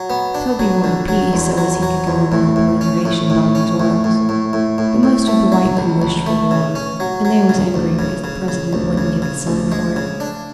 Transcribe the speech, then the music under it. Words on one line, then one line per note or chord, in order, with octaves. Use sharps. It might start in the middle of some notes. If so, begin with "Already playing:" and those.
Toby wanted peace so as he could go about the Reservation buying his oils. But most of the white men wished for war, and they was angry because the President wouldn't give the sign for it.
Already playing: F#3
B3
D4
F#3
D3
F#3
E2
F#3
F#3
E2
A2
A2
C#4
A2
A2
C#4
A2
A2
A2
A2
A2
A2
A3
F#3
C#2
C#2
A3
C#3
C#4
F#3
F#3
C#3
D2
C#3
C#3
C#3
D2
C#3
C#3
D2
G#3
C#3
D4